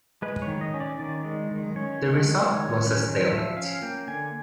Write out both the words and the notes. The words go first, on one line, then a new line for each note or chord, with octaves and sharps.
The result was a stalemate.
G#3 B4
C#5
D#3
D#5
C#4
D5
D#3 D5
G#3
D#3
C#4 C#5
D#3
G#3
D#3 C#5
C#4
D#3
F3 E5
C#4 F5
A#3 G5
D3 G#5